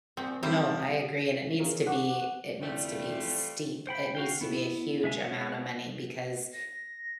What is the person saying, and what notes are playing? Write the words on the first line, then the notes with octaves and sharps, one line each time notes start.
No, I agree, and it needs to be it needs to be steep, it needs to be a huge amount of money because
A#2 C4
F3 G3 C4 E4
C#3 C#4 A#4
F#5 C#6 D6
F2 E3 G3 A3 F4 D5
C5 G5 B5
F#4 F5 G5
B3 E4
G#3 E5 G#5
G#3 C#5
A#6